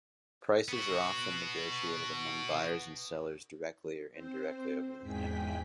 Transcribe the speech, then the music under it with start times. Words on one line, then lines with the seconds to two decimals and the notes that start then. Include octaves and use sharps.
Prices are often negotiated among buyers and sellers directly or indirectly over the Internet.
0.68 B3 F#4
4.12 C4 C5
5.01 E2 G#2 G#3 G#4 G5 B6